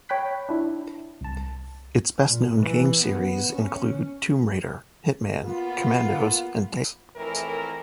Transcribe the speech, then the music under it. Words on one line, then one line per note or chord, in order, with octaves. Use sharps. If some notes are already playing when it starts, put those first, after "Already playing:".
Its best-known game series include "Tomb Raider", "Hitman", "Commandos", and "Deus Ex".
C#5 G5 B5 F#6 B6
D4 E4
C2 A5
A#2
E3
B3
C#4
A#3 B3 F4
F2 A2 E3 A#4